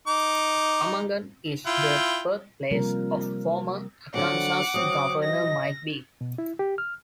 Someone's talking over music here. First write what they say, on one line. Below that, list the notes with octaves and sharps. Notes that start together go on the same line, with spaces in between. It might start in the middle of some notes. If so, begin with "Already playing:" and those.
Amagon is the birthplace of former Arkansas Governor Mike Beebe.
D#4 D6
E4 F4 G5
C3 F3 G3 A#3 F4 A#4
D3 F#3 C4 F#5 D6
F#3 C4 D#6
D#5 A#6
B2
E4
G4
F6